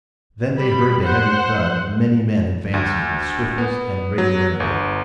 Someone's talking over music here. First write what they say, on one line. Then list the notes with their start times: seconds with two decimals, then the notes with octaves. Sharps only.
Then they heard the heavy thud of many men advancing with swiftness and regularity.
0.57 G3 B5
1.03 C5 F#5
2.74 D2
3.58 B3
4.18 F#3
4.60 G1